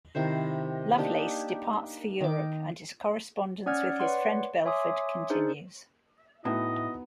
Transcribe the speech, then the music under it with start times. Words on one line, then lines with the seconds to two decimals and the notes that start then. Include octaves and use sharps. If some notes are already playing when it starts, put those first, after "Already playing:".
Lovelace departs for Europe and his correspondence with his friend Belford continues.
0.15 C3 D#3 E4 C5
0.98 A#3 D4 D#4 G4
2.21 D#3 D6
3.66 C#4 D5 F#5 F6 G#6
4.00 B4 C#5 D5 F#5 C6
4.65 C#5 E5 G#5 C6 D6 D#6
5.30 D4 D#4 G#4 C5
6.45 A2 B3 D#4 E4 F#4 D#5